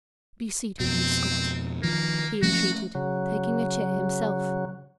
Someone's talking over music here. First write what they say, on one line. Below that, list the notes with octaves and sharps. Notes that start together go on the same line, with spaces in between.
"Be seated, Miss Scott," he entreated, taking a chair himself.
F2 B2 C4
D#3 F3 A#3
F3 A3 C#4 F#4
C#3 F#3